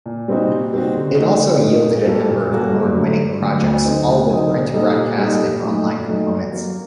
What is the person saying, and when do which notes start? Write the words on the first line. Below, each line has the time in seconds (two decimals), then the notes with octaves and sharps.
It also yielded a number of award-winning projects-all with print, broadcast, and online components.
0.06 A#2
0.28 G3 C4 D#4 F#4
0.50 A#2
0.73 G3 C4 D#4 F#4
0.95 D3
1.17 A3 D#4 F#4
1.39 D3
1.61 A3 D#4 F#4
1.84 A#2
2.06 G3 A#3 F#4 A4
2.28 A#2
2.51 G3 A#3 F#4 A4
2.73 G2
2.95 D3 F#3 A3
3.18 G2
3.40 D3 F#3 A3
3.62 D2
3.84 D3 F#3 C4 D#4
4.07 D2
4.29 D3 F#3 C4 D#4
4.50 A#2
4.73 G3 A#3 D#4 A4
4.96 A#2
5.18 G3 A#3 D#4 A4
5.40 A#2
5.62 F#3 A3 D#4
5.85 A#2
6.07 F#3 A3 D#4
6.29 G2
6.51 F#3 A#3